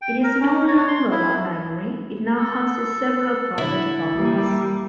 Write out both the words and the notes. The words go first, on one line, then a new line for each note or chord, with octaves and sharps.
It is no longer a library, it now houses several private apartments.
G5
A#4
C#4
C#5
C6
E4
A4
D3 E4
G3 A#3